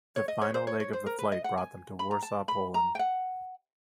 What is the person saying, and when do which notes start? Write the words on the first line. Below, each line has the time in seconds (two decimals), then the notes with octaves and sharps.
The final leg of the flight brought them to Warsaw, Poland.
0.16 C#5
0.28 D#5
0.42 C#5
0.54 C5
0.67 C#5
0.80 C#5
0.93 C5
1.06 A#4
1.19 B4
1.32 D#5
1.44 F#5
1.58 G#5
1.99 B5
2.11 A#5
2.23 A5
2.48 B5
2.74 A#5
2.95 G5
2.99 F#5